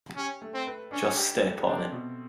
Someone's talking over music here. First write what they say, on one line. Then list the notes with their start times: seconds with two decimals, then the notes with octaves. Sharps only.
Just step on it.
0.16 C#4 G4
0.42 A3
0.54 C4
0.67 B4
0.91 C#4 D4
1.16 G4
1.42 A3
1.67 C4 D4
1.92 B2